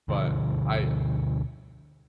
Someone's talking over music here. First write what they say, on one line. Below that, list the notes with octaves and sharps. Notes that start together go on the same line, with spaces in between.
But I
D2 B2 D3 F3